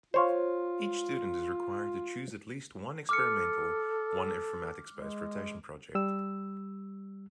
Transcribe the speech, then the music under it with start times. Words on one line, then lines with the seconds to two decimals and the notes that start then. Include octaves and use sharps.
Each student is required to choose at least one experimental one informatics-based rotation project.
0.14 F4 C5 C#5 F5
3.09 A4 D6 F6 C#7
4.92 G#3
5.95 G3 E6